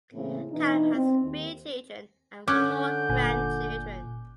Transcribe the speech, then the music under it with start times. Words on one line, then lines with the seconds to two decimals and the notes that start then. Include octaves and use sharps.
Callum has three children and four grandchildren.
0.13 A2 C#3 E3 A#3 C4 E4
0.51 B2 E3 D4 D#4
0.94 C4
1.24 D#2
2.48 D3 C#4 D6 F#6 G6
3.09 G1 A#2 G#5